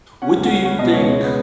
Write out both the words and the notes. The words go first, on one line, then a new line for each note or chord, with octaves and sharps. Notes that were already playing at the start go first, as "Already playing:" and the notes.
what do you think,
C#4 F#5
C#2
F#5
C#4
C#4 F#5
B2 D#5
C#2 C#5
G#3 C#5
B3